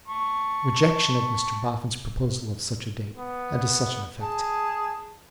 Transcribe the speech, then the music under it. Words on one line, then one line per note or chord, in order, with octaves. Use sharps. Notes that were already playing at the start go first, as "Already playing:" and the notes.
Rejection of Mr Boffin's proposal of such a date and to such an effect.
A5 C#6
B3
G#4 A5